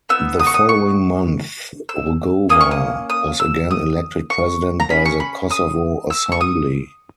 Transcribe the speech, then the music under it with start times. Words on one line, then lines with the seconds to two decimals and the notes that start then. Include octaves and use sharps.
The following month, Rugova was again elected President by the Kosovo Assembly.
0.09 B3 D#4 E6
0.40 D#6
0.47 C#6
0.54 D#6
0.69 C#6
1.89 E6
2.49 A#3 C#4 D#6
2.61 C#6
2.71 D#6
3.10 D#6
3.40 E6
3.71 D#6
4.30 C#6
4.80 A#5
4.90 C#4 G#4 B5
5.05 C#6
5.20 B5
5.51 D#6
6.10 E6
6.32 C#6
6.41 D#6